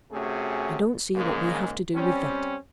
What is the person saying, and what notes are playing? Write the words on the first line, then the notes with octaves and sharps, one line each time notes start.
'I don't see what we have to do with that.
C3 A3 C#4 F#4 G#4
G#2 C#3 G#3 A#3
G3 C4 C#4